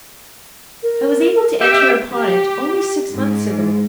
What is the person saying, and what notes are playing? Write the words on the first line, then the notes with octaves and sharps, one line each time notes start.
I was able to enter upon it only six months ago.
A#4
G4 D#5 E5
G4
G#2